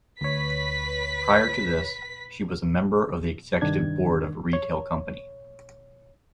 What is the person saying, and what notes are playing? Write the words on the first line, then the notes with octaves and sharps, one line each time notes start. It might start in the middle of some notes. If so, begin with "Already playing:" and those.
Prior to this she was Member of the Executive Board of a retail company.
D2 B4 C#5 B6
C2 G2 D#3 D4 G#6
C#5